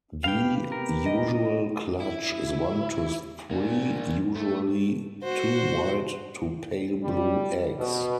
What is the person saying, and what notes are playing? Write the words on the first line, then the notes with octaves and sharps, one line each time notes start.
The usual clutch is one to three, usually two white to pale blue eggs.
C3 G4 B4 F5 G5
A#4
D#5
E4
A#3 D4
A3
F#4 C5
G3
B2